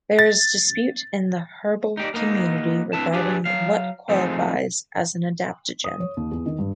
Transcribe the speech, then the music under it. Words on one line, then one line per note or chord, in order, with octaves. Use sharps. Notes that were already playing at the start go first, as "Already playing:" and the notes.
There is dispute in the herbal community regarding what qualifies as an adaptogen.
A6
D#4 G4 D5
A#3 B3 D#4
C4 D4 E4 B4 A5
D4 G4 G#4 B4 D5
F#3 F5
F3 G#3 A3 C4 D#4
D#6
C#5
D#2
E2
D#3
G2